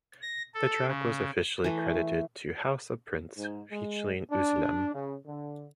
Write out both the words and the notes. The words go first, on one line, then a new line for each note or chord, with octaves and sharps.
The track was officially credited to House Of Prince featuring Oezlem.
A#6
A4
C#3
E3 A3
G#2
G#3
D4
C#3
D3